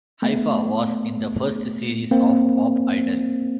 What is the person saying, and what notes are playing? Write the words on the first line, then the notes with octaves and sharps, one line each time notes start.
Haifa was in the first series of Pop Idol.
A3 B3
A#3 C4